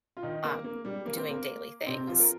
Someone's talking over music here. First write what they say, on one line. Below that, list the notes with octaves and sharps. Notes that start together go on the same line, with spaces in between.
um, doing daily things.
F4
D#3 D#4
A#3
A#3
G3
A#3
C4
A#3
D#4
C3 C4
F3 F4
A#4